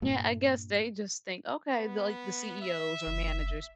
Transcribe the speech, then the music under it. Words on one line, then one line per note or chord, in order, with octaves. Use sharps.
Yeah, I guess they just think, okay, the like, the CEOs or managers,
G2 A#2
B3
E5
F#1